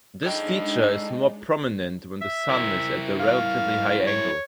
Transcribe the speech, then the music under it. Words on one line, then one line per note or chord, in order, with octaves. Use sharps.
This feature is more prominent when the Sun is at a relatively high angle.
G#3 D4 D#4 A4 D#5 G5 A5
E5
E4 A#4
F5
C#5